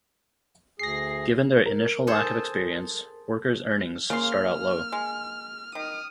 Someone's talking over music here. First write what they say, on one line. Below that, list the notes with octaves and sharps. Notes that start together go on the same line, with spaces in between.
Given their initial lack of experience, workers' earnings start out low.
D2 G#4 A#6 C7
A#4
G#4 A4 C5
C#3 A#3 C6 F6
G#3
D#3 D#6 F6